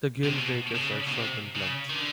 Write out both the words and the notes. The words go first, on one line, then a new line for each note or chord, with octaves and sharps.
The gill rakers are short and blunt.
C3
B2
C#3
B2
C3
C#3
D#3
D3